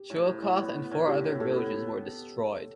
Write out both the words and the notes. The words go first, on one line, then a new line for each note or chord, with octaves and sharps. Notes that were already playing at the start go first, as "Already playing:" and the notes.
Chillicothe and four other villages were destroyed.
Already playing: G4
A2
A2
A2
B3
B3
A2
A2 G4
A2
A2 A4
B3